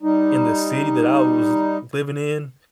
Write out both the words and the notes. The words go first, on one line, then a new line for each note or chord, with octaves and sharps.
in the city that I was l living in,
G3 D#4